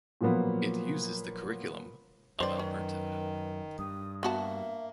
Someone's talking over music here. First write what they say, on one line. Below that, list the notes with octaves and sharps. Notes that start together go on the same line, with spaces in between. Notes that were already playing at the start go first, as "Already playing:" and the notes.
It uses the curriculum of Alberta.
A#2 F3 F#3 A#3 B3
F#2 D#3 B4 C5 D5
C#4
G2 D#6
A#3 B3 F#4 E5 A5